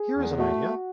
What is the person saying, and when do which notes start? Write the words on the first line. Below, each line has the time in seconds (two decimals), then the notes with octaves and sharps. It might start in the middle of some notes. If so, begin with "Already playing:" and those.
Here is an idea!
Already playing: G#4
0.16 E2
0.38 A3 F#4